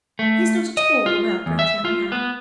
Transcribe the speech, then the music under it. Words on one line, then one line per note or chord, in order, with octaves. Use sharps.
He is not at all a well-bred young man.
A3
D#5
F4
E2
E5
F4
B3